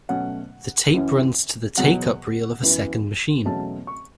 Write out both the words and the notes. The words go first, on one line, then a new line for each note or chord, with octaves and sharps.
The tape runs to the take-up reel of a second machine.
B2 F#3 A3 C#4 F#5
F#2 E3 C#4
E2 B2 F#3 F#5
F#2 E3 B3
E2 B2 F#3 A3 C#4 A5
C#6